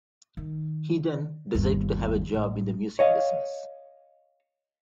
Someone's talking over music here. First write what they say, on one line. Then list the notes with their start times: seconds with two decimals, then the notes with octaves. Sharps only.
He then decided to have a job in the music business.
0.37 D#3
1.55 G1 D#2
2.34 A1
2.99 C#5 D#5 F5